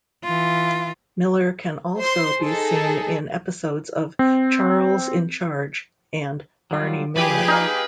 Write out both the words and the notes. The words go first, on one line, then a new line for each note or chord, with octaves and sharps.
Miller can also be seen in episodes of "Charles in Charge" and "Barney Miller".
E3 F4
C5 C6
D#4 G#4 A4
C4
F#3 G3 F4
F3 G4 G#4 B4 D5
D#4 F5